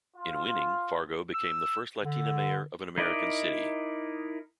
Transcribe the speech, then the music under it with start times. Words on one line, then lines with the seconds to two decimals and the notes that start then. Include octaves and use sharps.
In winning, Fargo became the first Latina mayor of an American city.
0.16 F4
1.34 E6
2.03 D3
2.98 D#4 E4 A#4 D5 D#5